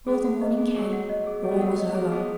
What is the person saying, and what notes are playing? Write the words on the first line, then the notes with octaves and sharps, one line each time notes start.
Before the morning came all was over.
G#3 B3 G#4
F#5
D#5
G#4
F#3 A3 G#4
F#5
D#5
G#4
A3 G#4
B3
F#3 A3 F#5
D#5
G#4
G#3 B3 G#4